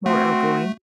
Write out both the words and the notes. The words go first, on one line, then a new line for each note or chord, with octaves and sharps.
more outgoing.
A3 C4 F#4